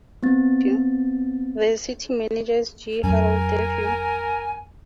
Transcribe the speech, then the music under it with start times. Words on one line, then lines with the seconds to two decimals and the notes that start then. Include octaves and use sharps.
The City Manager is G. Harold Duffey.
0.23 B3 C4 A6
3.03 F2 F#3 C#4 A#4 G#5